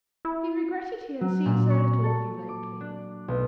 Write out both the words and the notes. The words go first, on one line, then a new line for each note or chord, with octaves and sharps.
He regretted he had seen so little of you lately.
E4
F#3
A#2
C#6
A4
D6
D4
B1